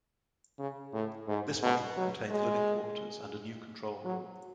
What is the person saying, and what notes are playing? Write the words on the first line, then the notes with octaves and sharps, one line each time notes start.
This module contains living quarters and a new control room.
C#3
A2
G#2
B2
F#3
G#3
F#3